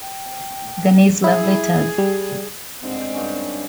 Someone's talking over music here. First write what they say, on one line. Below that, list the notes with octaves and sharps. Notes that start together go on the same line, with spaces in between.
Gurney's "Love Letters".
G5
E4 G#4
G3
G#2 D3 C4
G2 D3 C#4